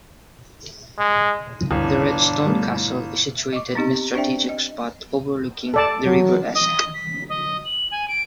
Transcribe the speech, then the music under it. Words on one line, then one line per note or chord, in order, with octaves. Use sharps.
The red stone castle is situated in a strategic spot overlooking the River Esk.
G#3
G1 D2 G2 E3 D4
G3 A3 B3
D#5 C#6 D6
B3 C4 D#4 G4 D#5
C4 D4 C5 D5 E5 G5
D#5
A4 D5 A5
F#3
D#5
B6
D#5
F#7
G#5
D7